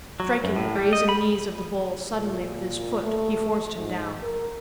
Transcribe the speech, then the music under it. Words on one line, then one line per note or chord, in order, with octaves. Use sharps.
Striking the brazen knees of the bull suddenly with his foot he forced him down.
F#3
F#2
A2
G3
D#5
B5
A#2
A3
G#2
A#4